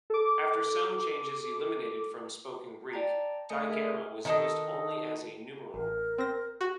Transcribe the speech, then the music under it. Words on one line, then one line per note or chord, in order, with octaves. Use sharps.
After sound changes eliminated from spoken Greek, "digamma" was used only as a numeral.
A4 D6
D5 G5 A5 A#5 A6
A3 D#5 G#5 D#6 C#7
G#4 A#4 E5 G#5 F6
D#3 A4 D#5
A1 A#4
C4 A#6
F#4